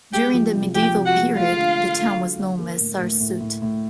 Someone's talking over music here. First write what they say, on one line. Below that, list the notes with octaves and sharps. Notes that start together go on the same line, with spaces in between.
During the medieval period, the town was known as Sarsuti.
G#3 G4 G5
F3
C3
F3 G4 G5
C3
F#4 F#5
G#3
A3 F4 F5
D3
D3
D3
F#3
D3
A#3
A2
A2
A2
A2
A2